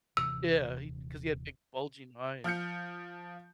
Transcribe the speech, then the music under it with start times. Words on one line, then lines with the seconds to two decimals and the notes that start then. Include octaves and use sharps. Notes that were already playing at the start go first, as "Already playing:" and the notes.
yeah, he 'cause he had big bulging eyes,
0.17 D#1 C3 E3 E6
2.44 F3 F6 G6 C#7